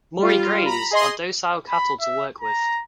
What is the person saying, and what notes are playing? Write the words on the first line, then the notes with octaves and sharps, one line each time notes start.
Murray Greys are docile cattle to work with.
G3 F4
A#5 B5
G#4 D#5 C6
B5
E5
A#5